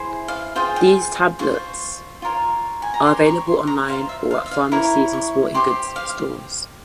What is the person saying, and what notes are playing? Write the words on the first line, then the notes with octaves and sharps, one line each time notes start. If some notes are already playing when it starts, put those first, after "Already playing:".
These tablets are available online or at pharmacies and sporting goods stores.
Already playing: E4 G#4 C5
F5
F4 G#4 C5 G5
G5
F4 C5 C#6
F4 A#4 C#5
G#5
A#5
G4 A#4 C#5 C6
C#6
C6
A#5
F4 C5 F5
E5
F5
E5
F5
E4 A#4 C#5 A#5
C#6
G4 C5 C6
F5